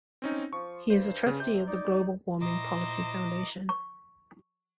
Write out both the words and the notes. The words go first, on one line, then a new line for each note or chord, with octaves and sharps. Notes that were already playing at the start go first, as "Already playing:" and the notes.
He is a trustee of the Global Warming Policy Foundation.
C4 C#4 D#4
F3 C#6
G2 C5
C#3
C3 G6
D#4 D5
A#2 E4 C5 D#5 A#5 D6
C#6